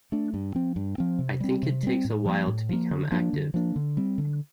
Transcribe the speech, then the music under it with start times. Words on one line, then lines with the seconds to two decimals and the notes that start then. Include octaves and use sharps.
I think it takes a while to become active.
0.12 A3 D4
0.34 G2
0.55 F3 C4
0.76 G2
0.98 F3 C4
1.19 C3
1.40 G3 C4
1.63 C3
1.83 G3 C4
2.05 A2
2.26 F3 A#3
2.47 A2
2.69 F3 A#3
2.91 D3
3.12 F3 A#3 D4
3.33 D3
3.54 F3 A#3 D4
3.76 D3
3.97 G3 C4
4.18 D3